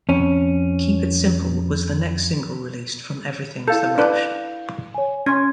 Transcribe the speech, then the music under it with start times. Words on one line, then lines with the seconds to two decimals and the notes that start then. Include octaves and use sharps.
"Keep It Simple" was the next single released from "Everything's the Rush".
0.09 F2 C#4
3.68 E4 A4 F5 G6
3.98 D4 B4
4.94 C#5 G#5
5.26 C#4 C6 G#6